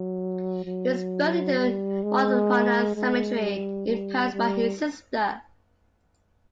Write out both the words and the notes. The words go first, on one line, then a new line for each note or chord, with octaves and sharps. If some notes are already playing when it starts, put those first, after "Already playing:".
He was buried in Montparnasse Cemetery in Paris by his sister.
Already playing: F#3
F#3
G3
G#3
G#3
G3
G3
G3